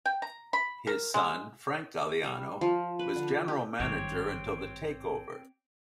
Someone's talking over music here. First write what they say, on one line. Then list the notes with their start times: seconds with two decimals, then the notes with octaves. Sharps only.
His son, Frank Galliano was General Manager until the takeover.
0.06 G5
0.22 A#5
0.53 B5
0.87 A#4
1.14 G#3
2.24 G3
2.61 F3
2.99 B4
3.16 D3
3.48 G4
3.80 G#1 G2 D#3 C4 G4 C#5